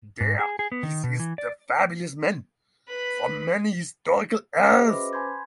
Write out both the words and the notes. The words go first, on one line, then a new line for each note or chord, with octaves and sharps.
There he sees the famous men from many historical eras.
G#2
G#4
G#4
B3
D#3
B2
E3
D5
B4 B5
F#4 G#4 B4 D#5 E5
C#4 B4 C5 B5 D6 A#6
G#5 A5 B5 C6 G6 G#6